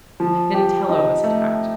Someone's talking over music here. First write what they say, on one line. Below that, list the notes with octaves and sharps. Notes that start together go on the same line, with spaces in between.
Then Tela was attacked.
F3
G4
D#4
A3